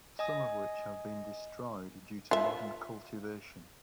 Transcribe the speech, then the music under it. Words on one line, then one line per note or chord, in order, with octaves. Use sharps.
Some of which have been destroyed due to modern cultivation.
D#5 G#5 D#6
F4 E5